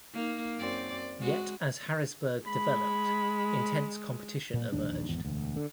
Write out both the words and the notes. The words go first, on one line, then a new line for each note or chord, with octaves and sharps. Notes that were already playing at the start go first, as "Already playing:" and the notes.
Yet as Harrisburg developed, intense competition emerged.
A#3 D#4
F#2 C4 D5
G#3 F#4
G#3 B5
A#2
E1 A#1 D#2 D4
G#1 E2
E1 D2
D3